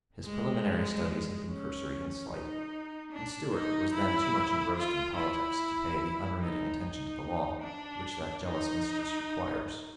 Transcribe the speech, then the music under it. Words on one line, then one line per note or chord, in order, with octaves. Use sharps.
His preliminary studies had been cursory and slight, and Stuart was then too much engrossed in politics to pay the unremitting attention to the law which that jealous mistress requires.
G#3
C#4
D#4
D4
D#4
E4
F4
E4
D#4
D#4
D4
D#4